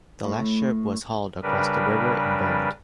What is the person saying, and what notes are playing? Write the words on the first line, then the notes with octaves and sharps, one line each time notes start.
The last ship was hauled across the river and burned.
A2
C#3 G3 D4 A#4 B4